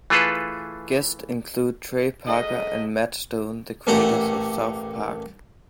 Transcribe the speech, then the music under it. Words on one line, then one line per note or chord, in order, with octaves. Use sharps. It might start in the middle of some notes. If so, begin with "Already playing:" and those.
Guests included Trey Parker and Matt Stone, the creators of "South Park".
E3 A3 F4 G#4 A4 B4
G#2 A4 D#5
A1 A#2 A3 G4 E5 F#5